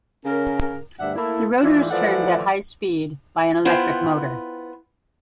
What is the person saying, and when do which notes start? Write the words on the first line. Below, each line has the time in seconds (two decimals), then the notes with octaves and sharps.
The rotor is turned at a high speed by an electric motor.
0.25 C#3 C#4 A#4
0.99 D2 G2 D4 E5 F#5
1.15 A3 A#3 E4
1.62 G#2 E3 D4 D#4 F4
1.91 E3 F3 A3 D5 F#5
3.65 B3 E4 F4 C5 G5